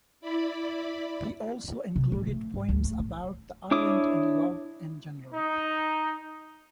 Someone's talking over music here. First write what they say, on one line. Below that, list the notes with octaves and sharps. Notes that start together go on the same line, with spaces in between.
He also included poems about the island and love in general.
E4 D5 B5
C3
A1
A3
G#2
D2
A3
A2
D4 E4 C#5 D6 D#6
D#4